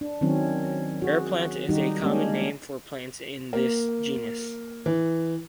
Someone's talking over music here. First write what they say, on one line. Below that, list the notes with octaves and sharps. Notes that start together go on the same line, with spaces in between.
Airplant is a common name for plants in this genus.
D4
D#3 F#3 C4 C#4
F#4 G#4
D#3 G3 D#4 G4
G#3 A#3 C#4 D4 G4
A#3
E3